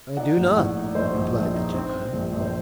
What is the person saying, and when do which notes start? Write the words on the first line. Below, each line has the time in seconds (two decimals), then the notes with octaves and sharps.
"I do not!" replied the gentleman.
0.17 D#4 D5 F#5
0.37 A#1
0.56 A2 D5 F#5
0.76 D#4
0.84 D5
0.95 A#1 C5 D#5
1.15 A#1
1.35 A#1
1.54 D#4
1.74 C4
1.94 C4
2.13 A#1
2.33 A#1
2.41 C5